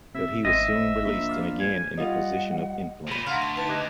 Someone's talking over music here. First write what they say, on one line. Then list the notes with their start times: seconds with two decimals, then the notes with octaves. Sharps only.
But he was soon released and again in a position of influence.
0.15 C3 E5
0.45 G#1 C4 D#5 E5
1.04 A#1 E5
1.29 D5 F5
1.60 G#5
1.97 G3 F4 D#5 F#5
3.07 A#2 C5 B5
3.26 D2 F5 F#5 A#5 C6
3.41 A5
3.57 D#4 B4 A5
3.69 G4 B4 D#5 D6 F#6 G#6